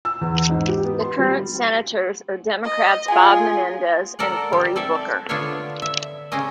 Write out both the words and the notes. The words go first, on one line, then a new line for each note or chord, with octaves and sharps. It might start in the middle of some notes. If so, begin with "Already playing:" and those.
The current Senators are Democrats Bob Menendez and Cory Booker.
E6
E2
G#2
G4
B3
C6
G3
D#5
F4 G#4 G#5
A4 A#4 D5 F#5
G3
C4 A4 D5 E5
D3 B3 D4 F4 C#5 E5
E5
C#3 G3 C4 C#4 D#5